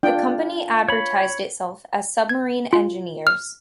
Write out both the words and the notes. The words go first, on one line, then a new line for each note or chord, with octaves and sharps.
The company advertised itself as 'Submarine Engineers'.
D4 F4 F5 G5 A5
C#5 B5
G#6
F4
F6